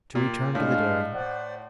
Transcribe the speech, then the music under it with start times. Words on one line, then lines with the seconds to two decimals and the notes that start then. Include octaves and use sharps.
To return to the dairying.
0.15 A#2 G4
0.55 A2 G#3 D4 F5
1.14 C5 D5 F#5